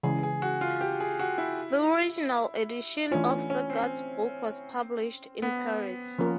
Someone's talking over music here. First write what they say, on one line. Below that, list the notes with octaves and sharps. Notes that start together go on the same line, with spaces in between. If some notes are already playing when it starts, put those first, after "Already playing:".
The original edition of Sagard's book was published in Paris.
C#3 E3 G#3 G#4
G#4
F#4
F4
G4
G#4
F#4
E4
E3 A3 C#4 D4 F4
C#4
C4
B3
F3 A#3 C#4 F4 A#4